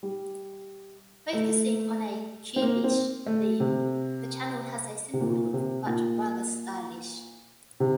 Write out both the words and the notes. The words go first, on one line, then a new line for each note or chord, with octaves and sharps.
Focusing on a "cube-ish" theme, the channel has a simple look, but rather stylish.
G3
A3
C4
A#3
C4
A3
C3
C3
A#2
C3
A#2
C3